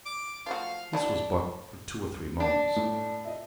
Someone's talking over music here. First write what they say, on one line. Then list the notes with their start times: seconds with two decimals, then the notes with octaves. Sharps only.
This was but for two or three moments.
0.06 D6
0.46 F3 A3 F#4 F5
0.93 F#3 D4 E4 A5
2.40 D4
2.76 A2
3.25 D#5 E5